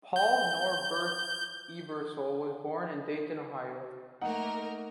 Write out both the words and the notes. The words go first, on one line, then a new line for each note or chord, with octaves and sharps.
Paul Norbert Ebersol was born in Dayton, Ohio.
G6
A3 A#3 D#4 A#4 F#5